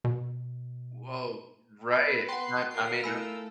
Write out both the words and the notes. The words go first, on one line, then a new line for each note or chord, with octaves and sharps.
Woah! Right. I I mean, I'm
B2
B3 B4
F#5 G5 C6
F4 A#4 C7
A3 E4 G#5 B5 E6